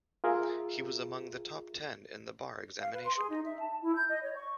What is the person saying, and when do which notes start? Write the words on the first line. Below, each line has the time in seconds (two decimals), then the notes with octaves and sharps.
He was among the top ten in the bar examination.
0.24 F4 G#4 A#4 E5
2.80 F5
2.92 B4
3.04 C6
3.16 G#4
3.30 D#4
3.45 E5
3.60 A5
3.81 E4
3.95 G6
4.09 D#5
4.22 C#5
4.36 C#6